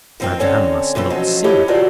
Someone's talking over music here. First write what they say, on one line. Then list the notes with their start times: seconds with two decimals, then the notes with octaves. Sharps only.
Madame must not see.
0.20 D#3 F3 C4 A#4 G5
0.39 D3 C4 C#4 A4 C#5 G#5
0.95 D3 E3 F3 C4 C#4
1.10 F3 F#3 C#4 D#4 F4 A4
1.44 D#4 E4 G4 C#5
1.68 F4 F#4 A4 A#4 C5 D5